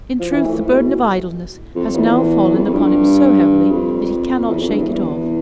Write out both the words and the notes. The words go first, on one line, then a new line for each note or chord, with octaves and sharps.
In truth the burden of idleness has now fallen upon him so heavily that he cannot shake it off.
F3
E3
A2
A2
B2
F2
E2
F2
F2
G2
F2
E2
F2
G2
E2
E2